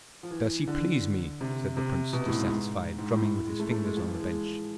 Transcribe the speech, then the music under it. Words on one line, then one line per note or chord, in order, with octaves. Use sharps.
"Does he please me," said the prince, dissatisfied, drumming with his fingers on the bench.
F3
E3
D3
C3
C3
B2
A2
G#2
G#2
A2
A2
G#3
A3
A3
G#3
F3
E3
G#3